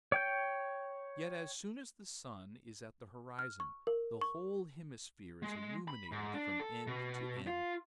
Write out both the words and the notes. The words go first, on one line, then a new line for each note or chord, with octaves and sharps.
Yet as soon as the sun is at the horizon, the whole hemisphere is illuminated from end to end.
C#5 G5 G6
F6
C#6
A#4
C#6
G#3
B5
G#2
D4
A4
B2
F4